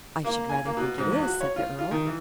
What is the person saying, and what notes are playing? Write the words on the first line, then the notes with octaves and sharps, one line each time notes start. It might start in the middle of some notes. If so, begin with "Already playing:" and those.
"I should rather think it is," said the earl.
A#3
G#5
A#3
B2
G#2
E2
F#4
C#5
F4
F4
D#3
E3